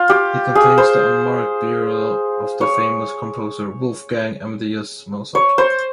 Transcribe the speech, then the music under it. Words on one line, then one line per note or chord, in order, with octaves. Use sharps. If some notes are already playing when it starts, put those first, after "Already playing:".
It contains the unmarked burial of the famous composer Wolfgang Amadeus Mozart.
Already playing: F4
G4
G#4
C5
C#5
C#5
C5